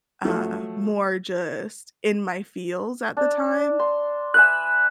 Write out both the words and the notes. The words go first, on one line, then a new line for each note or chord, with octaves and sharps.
uh, more just in my feels at the time,
F3 F#3 A3
D4
C6
B4 E5 G#5 F#6